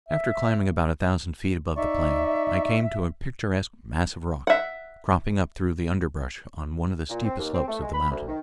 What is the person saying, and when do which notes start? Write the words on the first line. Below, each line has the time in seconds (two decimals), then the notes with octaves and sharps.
After climbing about a thousand feet above the plain I came to a picturesque mass of rock, cropping up through the underbrush on one of the steepest slopes of the mountain.
0.09 E5
1.76 D#4 D5 E5 C#6
4.47 E5 F#5
7.10 A#2
7.25 C4
7.39 D#2
7.54 C4
7.68 A3
7.82 G#3
7.93 B5
8.11 D2
8.28 D#3